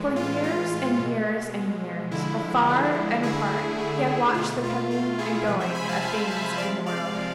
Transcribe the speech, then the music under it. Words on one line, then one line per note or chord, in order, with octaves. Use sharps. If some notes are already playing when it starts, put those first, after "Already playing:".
For years and years and years, afar and apart, he had watched the coming and going of things in the world.
Already playing: A2 E3 G#3
F4
A2 E3 G#3 F4
B2 G#3
B2
G#3
D3 F3 G#3 E4
D3 F3 G#3
D3 A3 E4 G#4
D3 A3
B2 A3 F4
F4
B2 A3 F4
E4 G#4
C3 F3 G#3 G#4 B4
C5 E5
G#5 B5
F5 A5
C3 F3 G#3 E5 G#5
E5 G#5
C3 F3 G#3 D5 F5
D5 F5
C3 F3 G#3